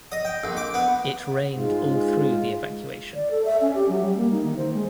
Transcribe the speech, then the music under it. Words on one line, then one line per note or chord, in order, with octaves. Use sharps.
It rained all through the evacuation.
D#5
G5
A#1
D6
B3
G#2 G#3 F4
D5
A4
E5
C#4
G4
F#3
G3
A#3
D#4
D#3
C5
G#3